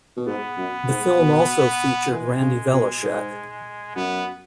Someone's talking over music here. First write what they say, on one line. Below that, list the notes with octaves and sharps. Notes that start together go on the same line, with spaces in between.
The film also featured Randy Velischek.
B2
G#2 B3
F#2
G#2
B2
E3 G#3
C#3
B2
G#2
F#2 B3